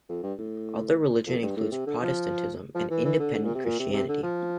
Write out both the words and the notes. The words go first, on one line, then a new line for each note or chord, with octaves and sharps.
Other religion includes Protestantism and Independent Christianity.
F2
G2
A2
F2
G2
A2
C3
D3
F3
F3
E3
E3
D3
D3
A#2
C3
A#2
C3
C3
D3
F3